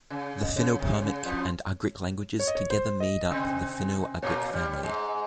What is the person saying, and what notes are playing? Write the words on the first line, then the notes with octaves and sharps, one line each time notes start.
The Finno-Permic and Ugric languages together made up the Finno-Ugric family.
C#3
D#5
C#3 C#5
C3
C#3
F2 F3
C#5
D#5
C#5
C5
D#5
C3 C4
A#2 A#3 C#5
G2 G3
G#2 G#3